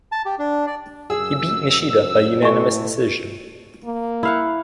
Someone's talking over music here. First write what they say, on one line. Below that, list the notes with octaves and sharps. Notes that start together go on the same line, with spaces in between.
He beat Nishida by unanimous decision.
A5
G4
D4
D5
F#2 G#4 E6
A2 A3 G#5 C#6
A#3
E4 F5 F#5